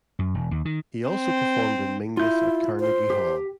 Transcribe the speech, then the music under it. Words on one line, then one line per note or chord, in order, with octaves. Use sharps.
He also performed in Mingus at Carnegie Hall.
F#2
E1
D#2
D#3
C4
E4 F4 G6
C5
G4